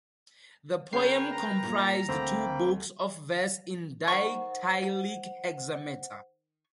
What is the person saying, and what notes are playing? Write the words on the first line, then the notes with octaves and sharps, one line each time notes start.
The poem comprised two books of verse in dactylic hexameter.
C#3 A#4 B4 C#5 G5 G6 C7
A#5
A#2 A#3
D2 A#3 C4 G5 B5
D#3 C5 F#5 C#6